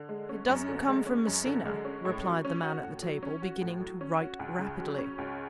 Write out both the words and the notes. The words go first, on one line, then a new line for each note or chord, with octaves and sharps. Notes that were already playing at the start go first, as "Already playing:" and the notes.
"It doesn't come from Messina," replied the man at the table, beginning to write rapidly.
Already playing: D3
G#3
C#4
F#2
D3
G#3
C#4
F#2
D3
G#3
C#4
A2
F#3
C#4
F#4
A2
F#3
C#4
F#4
A2
F#3
C#4
F#4
C#2
C#3
F#3
C#4
C#2